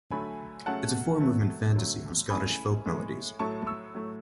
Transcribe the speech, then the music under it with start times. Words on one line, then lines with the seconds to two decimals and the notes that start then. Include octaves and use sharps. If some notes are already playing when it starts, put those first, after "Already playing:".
It is a four-movement fantasy on Scottish folk melodies.
0.11 D3 F#3 A3 G#5 B5
0.66 C#3 F#3 A3 F#5 A5
1.21 A2 F#3 A3
1.76 D3 F#3 A3
2.30 C#3 E3 A3 G#5 B5
2.85 A2 G#3
3.39 A2 F#3 A3 A5 C#6
3.67 C#6 E6
3.94 A2 F#3 A3